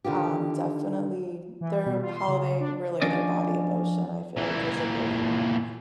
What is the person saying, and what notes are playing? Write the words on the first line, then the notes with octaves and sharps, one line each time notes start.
Um, definitely their how they relay their body emotion, I feel like, is a big one,
D3 D#3 F4 G4
E3
B2
F4
C6
C#3
D4
F3 C#4 D4 D5 D#5
A#2 E3